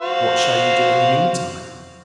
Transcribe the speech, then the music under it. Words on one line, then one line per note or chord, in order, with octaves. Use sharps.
'What shall you do in the meantime?'
F#4 C5 F5